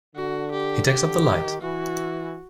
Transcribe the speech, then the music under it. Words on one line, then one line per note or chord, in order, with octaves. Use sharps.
He takes up the light.
D3 F#4
G4
D3 G4
D#3
E3 F#4